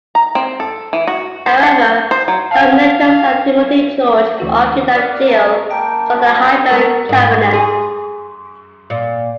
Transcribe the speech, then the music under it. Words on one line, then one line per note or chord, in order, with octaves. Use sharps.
However, Tom Nettles and Timothy George have argued that Gill was not a hyper-Calvinist.
A#5
C4
A4
E3
F#4
C5
F#5
C5
F#3
F5 F#5 A5
D2 E3 F#4
D5 F5 F#5
A3 A#5
A#3 G5 A5
G3 F#4
G#3 B3 A4 A#4 C#5
G#2
G#4
A#2